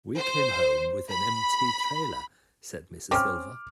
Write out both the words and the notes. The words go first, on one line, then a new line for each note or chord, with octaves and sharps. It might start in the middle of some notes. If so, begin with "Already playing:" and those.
We came home with an empty trailer said Mr. Silva.
C5
B5
C4 C#4 D6 F6